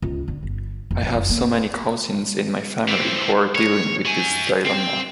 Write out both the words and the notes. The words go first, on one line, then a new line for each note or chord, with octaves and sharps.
I have so many cousins in my family who are dealing with this dilemma.
C#2
D3
G1
F1
F2
F#1
A#3
E3 C4
C#5
F#4 G#5
C4